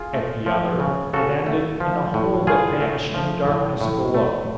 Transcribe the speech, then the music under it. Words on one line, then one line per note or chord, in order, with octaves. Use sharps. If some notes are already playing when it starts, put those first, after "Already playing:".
At the other it ended in a hole that vanished in darkness below.
Already playing: F4 G#4
A3
F3
C#3
C#3 F#4 A4
A3
F3
A2
A2 F4 G#4
A3
F3
A2
A2
A3